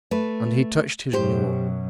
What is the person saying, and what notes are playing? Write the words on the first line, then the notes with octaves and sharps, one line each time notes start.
And he touched his mule.
A3 B4
F#2 B2 G4 C5